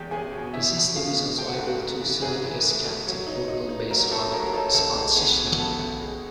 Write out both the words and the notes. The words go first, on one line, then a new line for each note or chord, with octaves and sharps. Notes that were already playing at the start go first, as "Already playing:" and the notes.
The system is also able to serve as a captive-portal-based hotspot system.
Already playing: E2 G#3 G4 G5
E2 G#4 G#5
B2
E2 E4 E5
B2
B2 F4 F5
G#3
A3 G5
F#5
G#2 F5
F#4 F#5
G#2
E3
G#2 G#4 G#5
E3
A3
A3
F#3
D#4
D#4
D#4
F#3 A#4 A#5
A2 A4 A5
F#3 A#4 A#5
A#5
D#4 A4 A5
C#2 A4 A5
G#3
B3 G#4 G#5
B2
B3 A4 A5
C#2
G#3